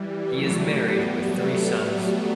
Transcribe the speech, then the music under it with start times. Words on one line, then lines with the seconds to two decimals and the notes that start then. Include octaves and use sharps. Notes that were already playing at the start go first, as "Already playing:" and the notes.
He is married with three sons.
Already playing: E3 G3
0.27 F#3 A3
0.75 G3 B3
1.23 F#3 A3